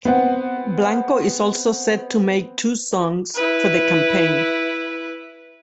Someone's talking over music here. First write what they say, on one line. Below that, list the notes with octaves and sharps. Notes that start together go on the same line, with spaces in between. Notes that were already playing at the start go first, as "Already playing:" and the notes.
Blanco is also set to make two songs for the campaign.
B3 C4 F#5
E4 B4